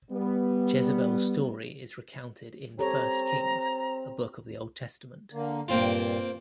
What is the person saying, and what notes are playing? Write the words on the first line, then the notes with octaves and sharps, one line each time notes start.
Jezebel's story is recounted in I Kings, a book of the Old Testament.
G3 B3
C4 G4 A4 C#5 A#5
D3 A#3
G2 A#2 A#3 C4 F4